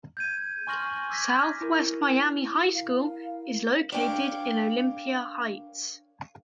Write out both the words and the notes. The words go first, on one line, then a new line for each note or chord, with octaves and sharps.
Southwest Miami High School is located in Olympia Heights.
G6 G#6 D#7
G#5 C6 C#6 F6 A#6 F#7
D6 E6 G#6 A#6 B6
E4 A#4
F5
D4 A#4 B4 C#5 F5 G5